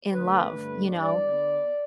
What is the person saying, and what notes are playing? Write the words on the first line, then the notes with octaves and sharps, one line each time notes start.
in love, you know?
D3 A3 B4
G2 D3 A3
G2 E3 G3 B3 D5
D3 B3